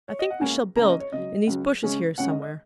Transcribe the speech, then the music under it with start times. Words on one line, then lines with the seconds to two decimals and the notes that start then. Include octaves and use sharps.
I think we shall build in these bushes here somewhere.
0.08 C#5
0.19 D#5
0.30 F#5
0.41 C#2 C#3 A#3 C#4 G#5
0.76 C#2 C#3 A#3 C#4 A#5
0.89 D#5
1.00 C#5
1.12 C#2 C#3 F#3 D#5
1.47 C#2 C#3 F#3
1.83 C#2 C#3 G#3 C#4
2.18 C#2 C#3 G#3 C#4 F#5
2.30 D#5
2.42 D#5